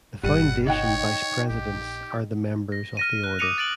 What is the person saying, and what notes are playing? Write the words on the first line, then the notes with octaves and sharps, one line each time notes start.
The foundation vice presidents are the members of the order.
G1 B2 G3 F#5 D#7
D#4 C#5 F#5 G5
A#1 G4
A#6
F6 A#6 D#7
F#6
D6 D#6 A#6 C#7 D#7 F7
A6 D7 F#7